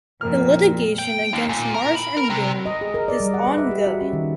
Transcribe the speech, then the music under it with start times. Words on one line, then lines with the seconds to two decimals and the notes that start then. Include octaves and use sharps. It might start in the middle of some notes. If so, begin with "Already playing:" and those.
The litigation against Marsh and Byrne is ongoing.
0.21 F2 A#2 A#4 F6
0.99 G5
1.33 D#2
1.49 A#2
1.74 A#4
1.95 B5
2.17 A#4
2.30 C3
2.66 D#5
2.81 G#4
2.94 A#4
3.08 D5
3.20 G3
3.34 F#5
3.46 B4
3.58 E5
3.71 G4
3.87 F#4
4.01 C#4
4.13 D#3